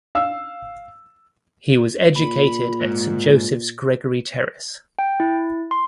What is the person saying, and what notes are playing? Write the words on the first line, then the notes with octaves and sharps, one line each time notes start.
He was educated at St Joseph’s Gregory Terrace.
F5 E6
A#2 B5
G#2
G5
E4
C6